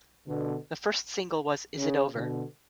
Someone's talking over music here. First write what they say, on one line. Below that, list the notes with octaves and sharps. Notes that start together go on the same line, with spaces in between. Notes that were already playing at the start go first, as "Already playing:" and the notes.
The first single was Is It Over?
B2 D3
C#3
B2 D3